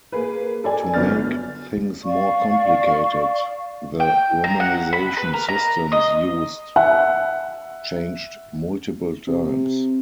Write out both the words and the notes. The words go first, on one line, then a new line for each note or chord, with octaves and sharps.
To make things more complicated, the romanization systems used changed multiple times.
A#3 G#4 B4
A4 D5 G#5
G1 F#3 B3 D4 F6 A6
D5 F5 C#6
G5
A#5
F#5
B5
B4
A#4
A#5
D#5
E5 F#5
C3